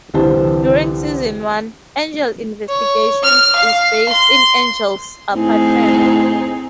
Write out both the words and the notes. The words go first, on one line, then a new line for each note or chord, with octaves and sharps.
During Season One, Angel Investigations is based in Angel's apartment.
C2 D3 E3 G4 C5 A5
C#5
F6
F5
C6
A2 C4 D#4 G#4